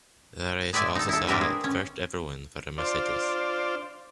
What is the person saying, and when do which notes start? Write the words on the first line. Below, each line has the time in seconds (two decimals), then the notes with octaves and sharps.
The race also saw the first ever win for a Mercedes.
0.73 G#3 B4 D5 E5 G#5
0.95 D#4 A4
1.09 E4 A4
1.28 C4 D4 A#4 B4 E5
1.41 G#4
1.64 C#4
2.78 D4 F4 C5 D5